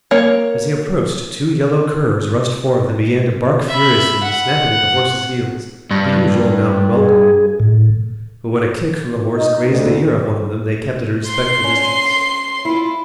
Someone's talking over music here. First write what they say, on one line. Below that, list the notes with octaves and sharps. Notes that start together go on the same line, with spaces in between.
As he approached two yellow curs rushed forth and began to bark furiously, snapping at the horse's heels, the usual mountain welcome. But when a kick from the horse grazed the ear of one of them they kept at a respectful distance.
A#3 C#5
E5 B5
F#5
G2
G#4
A2
D#4
D2
C6 C7
C#4
E4 F4